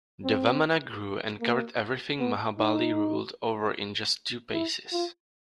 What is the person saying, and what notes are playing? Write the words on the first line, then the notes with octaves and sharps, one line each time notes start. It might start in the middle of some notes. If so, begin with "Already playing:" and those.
The Vamana grew and covered everything Mahabali ruled over in just two paces.
C4
A#3
B3
D#4
E4
F4